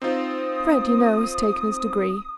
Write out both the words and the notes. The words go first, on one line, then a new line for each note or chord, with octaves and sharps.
Fred, you know, has taken his degree.
C4 D#4 F4 D#6